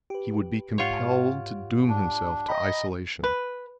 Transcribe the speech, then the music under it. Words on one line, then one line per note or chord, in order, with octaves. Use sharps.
He would be compelled to doom himself to isolation.
G4 B4
G#2 F4 G4 C#5 F#5
D4
D#5 G5 A#5 B5
B4